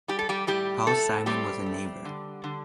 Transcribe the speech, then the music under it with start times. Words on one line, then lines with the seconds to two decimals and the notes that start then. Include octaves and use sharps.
Paul Simon was a neighbor.
0.08 G3 G4
0.19 A4
0.29 G3 G4
0.47 A2 G3 G4
0.87 A2 A3 A4
1.26 G3 C4 G4
1.66 A3
2.05 D3
2.44 D3